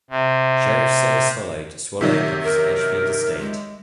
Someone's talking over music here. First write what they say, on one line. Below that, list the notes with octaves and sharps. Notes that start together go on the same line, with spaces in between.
Sheriff sales followed, swallowing up his Edgefield estate.
C3
C3 D#3 F#3
A#4
G#3